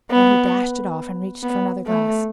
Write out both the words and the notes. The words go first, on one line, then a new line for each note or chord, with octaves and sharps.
Then he dashed it off, and reached for another glass.
B3
B3
A3